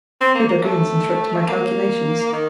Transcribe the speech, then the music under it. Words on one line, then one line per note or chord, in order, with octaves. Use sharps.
Your dragoons interrupted my calculations.
C4
A#3
A#3
A3
A#3
D#3